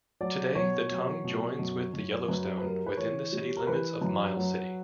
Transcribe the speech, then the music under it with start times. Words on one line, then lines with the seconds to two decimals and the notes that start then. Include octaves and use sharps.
Today, the Tongue joins with the Yellowstone within the city limits of Miles City.
0.20 F#3 D5
0.55 B2 C#5
0.89 F#3
1.24 B2
1.59 F#2
1.94 F#2
2.28 F#2 B4
2.58 B4
2.63 G3 A#4
2.86 B4
2.97 E3 C#5
3.32 G3
3.57 A#4
3.67 E3 B4
4.01 F#2
4.37 F#3